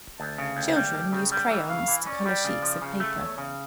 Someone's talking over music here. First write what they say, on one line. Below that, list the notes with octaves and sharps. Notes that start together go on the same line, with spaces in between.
Children use crayons to color sheets of paper.
D2 A5
C#3
D2 G5
G3
D2
C#3
G3
E3
C#3 F5
E3
C#4 D5
G3
C#3
F3
C#3
A3
E2 C#5
C#3